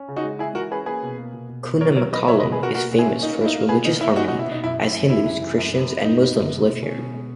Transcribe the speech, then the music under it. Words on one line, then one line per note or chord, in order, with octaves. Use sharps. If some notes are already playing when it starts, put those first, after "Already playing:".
Kunnamkulam is famous for its religious harmony as Hindus, Christians and Muslims live here.
Already playing: C#4
C#3
D#4 F#4
G#3
G#3 E4 G#4
E3 F#4 A#4
C#4 G#4 B4
A#3 G#4 B4
B2
A#3
B2
B2
B2
F#3 A#4 C#5
F#3 A#4 C#5
F#3 B4 D#5
B2 C#5 E5
B4 D#5
B3
G#4 B4
B2 F#4 A#4
A#2 F#4 A#4
A#2
E4 G#4
C#4
A#3 D#4
A#3 E4
D#4
A#3
B2 G#4 B4
A#3 D#4
A#3 E4
C#4 D#4 F#4
D#4 F#4
B2
E4
B2 D#4
F#2 E4
F#2
E4
F#2
E3 E4
F#2
E3
F#2
B3
B3
F#2 D#4
B3
F#2
B2
B2
C#4
B2
G#3